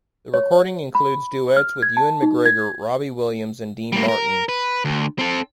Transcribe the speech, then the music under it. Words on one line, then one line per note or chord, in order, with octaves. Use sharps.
The recording includes duets with Ewan McGregor, Robbie Williams and Dean Martin.
C#5
B5
F6
G#6
A5
D#4
G#6
G3 A#3
A#4
B4
D2
C4 A4